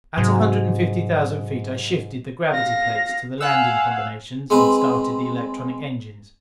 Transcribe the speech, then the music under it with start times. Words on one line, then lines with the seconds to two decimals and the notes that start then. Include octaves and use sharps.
At a hundred and fifty thousand feet I shifted the gravity plates to the landing combinations, and started the electronic engines.
0.18 G#2 C3 F#3
2.50 F5 A#6
3.41 F5 F#5 G#5 E6 F#6
4.50 G#3 C4 B4